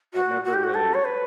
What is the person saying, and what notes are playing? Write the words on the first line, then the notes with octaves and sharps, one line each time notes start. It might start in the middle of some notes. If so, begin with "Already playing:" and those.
I've never really
F#4
F#4
G4
F#4
A4
C#5
B4